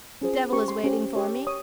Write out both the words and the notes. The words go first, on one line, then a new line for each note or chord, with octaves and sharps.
The devil is waiting for me.
C#4 F4 G#4 C5
C#4 G4 C5 C#6
C6
C#4 G4 C5
G4 A#4 C#5
C#5 D#6